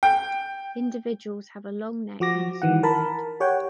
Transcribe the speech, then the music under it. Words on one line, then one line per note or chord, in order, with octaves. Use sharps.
Individuals have a long neck and a small head.
G5
F3 F#4 D6 A#6
D#3 E3 F#5
A#4 A5 B5
G4 C#5 F#5 G5